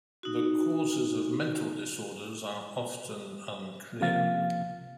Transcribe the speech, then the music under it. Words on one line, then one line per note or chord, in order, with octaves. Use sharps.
The causes of mental disorders are often unclear.
D#4 F#4
C#2 C3 F3 A#3 F5 A6